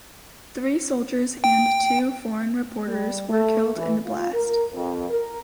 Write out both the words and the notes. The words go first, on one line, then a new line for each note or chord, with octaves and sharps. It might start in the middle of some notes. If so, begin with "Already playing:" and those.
Three soldiers and two foreign reporters were killed in the blast.
G5
G3
A3
E3
F4
A#4
F2
A#4